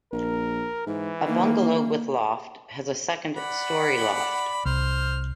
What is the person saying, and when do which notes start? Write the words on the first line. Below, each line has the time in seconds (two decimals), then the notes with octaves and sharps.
A bungalow with loft has a second-storey loft.
0.13 A#1 A#4
0.87 G#2 E3
1.27 D#3 A#3
3.36 D5 F#5 B5
4.65 C2 C5 F6